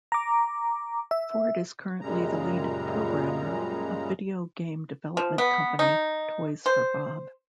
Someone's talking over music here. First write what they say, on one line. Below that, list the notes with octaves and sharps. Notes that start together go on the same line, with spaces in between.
Ford is currently the lead programmer of video game development company Toys for Bob.
A#5 D6
E5
F#2 A#2 C#3 G3 G#3 A#5
F3
B3
D#4
C5